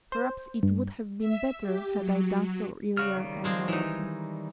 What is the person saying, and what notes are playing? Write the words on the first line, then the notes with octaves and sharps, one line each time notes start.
Perhaps it would have been better had I done so earlier and more often.
C5
G2
E5
G4
F#3
C#3 G3 F#4 F6
D#3 G3
F3 G#3 C4
E3 D#4